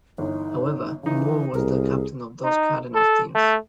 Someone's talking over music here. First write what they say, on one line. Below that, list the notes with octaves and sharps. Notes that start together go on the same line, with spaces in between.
However, Moore was the captain of those Cardinals teams.
G1 E3 D#4
C#3 E3 D#4
C2 G#4 A#4
D#4
A4
A3